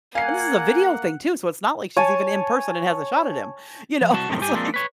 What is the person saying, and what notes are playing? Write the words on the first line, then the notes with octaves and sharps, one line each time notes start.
and this is a video thing too, so it's not like she's even in person and has a shot at him. You know, it's like
A#3 F5 F#5 G#5 C7
C#5 G#5 A5
F3
C2 F#4 A5
F#2 A2 C3 D#3 F3
G2 G4 G#5
F3 G#3 A#3 C4 D4
B4 C#5